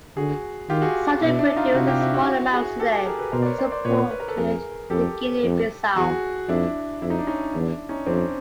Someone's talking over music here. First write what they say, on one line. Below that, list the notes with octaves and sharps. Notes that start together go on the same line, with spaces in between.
Salt is produced in small amounts today, it is exported to Guinea-Bissau.
D3 F#4 G#4
D#3 F4 G4
F#4 G#4
B2 D4 E4
D4 E4
D#4 F4
C3 E4 F#4
F4 G4
E4 F#4
E4 F#4
E4 F#4
F#4 G#4
G4 A4
G4 A4
G#4 A#4
A4 B4
B2 A#4 C5
D5
B4 C#5
C5 D5
C5 D5
A#2 B4 C#5
B4
A#4
A4 B4
F2 G#4 A#4
F2 G4 A4
F2
E2 F#4 G#4
F2 D4 E4
F2 E4
D#4
D4
C#4 D#4
E2 D4 E4
C#4 D#4
F2 C4 D4